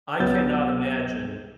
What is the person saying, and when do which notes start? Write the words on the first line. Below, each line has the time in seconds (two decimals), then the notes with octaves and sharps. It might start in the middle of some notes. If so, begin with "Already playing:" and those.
I cannot imagine
0.20 C#2 F#3 B3 E6 G6 A6